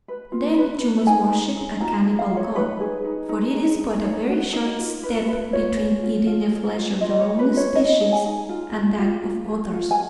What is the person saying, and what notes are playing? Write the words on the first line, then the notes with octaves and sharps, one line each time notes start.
Then you must worship a cannibal god, for it is but a very short step between eating the flesh of your own species and that of others.
B4
F4
B4
B4
D#4 G#5
G#4
D#4
F4 A#5
G#4
F5
F4
C#5
D#4 B4
G#4
D#4
D#4
G#4
D#4
D#4 C#5
F#4
D#4
F4
B4
B4
F4 C#5
G#4
F4
F4
G#4
F4
F4 D#5
C#5
G#4
B4
F4
C#5
D#4 D#5
G#4
G#5
D#4
F4
G#4
F4
F4
G#4
F4
G#5